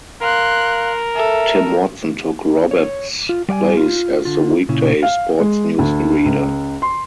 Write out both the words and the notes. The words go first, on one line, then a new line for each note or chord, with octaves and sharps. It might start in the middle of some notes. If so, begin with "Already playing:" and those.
Tim Watson took Roberts' place as the weekday sports newsreader.
A#4 F5 C6 F#6
A4 E5
C#5
F4
G3 D5 F#5 G#5
F4
D3 F4
A#2 C#3 E4
F5
G#3
D2
C#2
C6